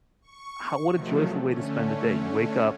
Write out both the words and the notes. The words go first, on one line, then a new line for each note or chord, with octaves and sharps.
how what a joyful way to spend the day. You wake up,
C#6
C3 D#3 F3 F#3 A3
D3 A3 C#4